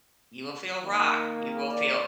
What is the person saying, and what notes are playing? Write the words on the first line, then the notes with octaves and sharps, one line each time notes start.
You will feel rock, you will feel
D#3 A#3
D5